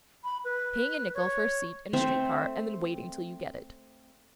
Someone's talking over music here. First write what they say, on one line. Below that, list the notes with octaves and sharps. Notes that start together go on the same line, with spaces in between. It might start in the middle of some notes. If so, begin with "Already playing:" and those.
Paying a nickle for a seat in a street-car and then waiting till you get it.
B5
B4
C#5
A3 C4 C5 E5